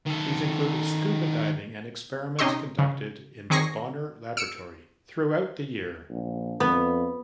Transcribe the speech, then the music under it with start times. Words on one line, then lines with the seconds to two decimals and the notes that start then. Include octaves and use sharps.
These included scuba diving and experiments conducted in the Bonner Laboratory throughout the year.
0.06 D#3 A4
2.39 C3 C#4 D#4 G4 D#5 C6
2.79 C#3
3.50 D#3 C4 G#4 C#6 A#6 C7
4.37 E6 C#7 D7
6.09 A#1
6.60 F2 B3